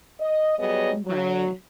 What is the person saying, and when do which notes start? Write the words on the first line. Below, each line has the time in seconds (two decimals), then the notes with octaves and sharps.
Mm, right.
0.20 D#5
0.58 F#3 G3 B3 G#4 C#5 D#5
1.06 F#3